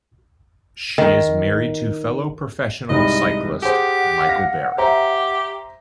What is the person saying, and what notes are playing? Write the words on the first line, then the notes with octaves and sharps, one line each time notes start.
She is married to fellow professionial cyclist Michael Barry.
D#3
C2 G#2 D#5 B5
G4 G#4 C5 F#5
F5 A#6
G4 C5 E5 A#5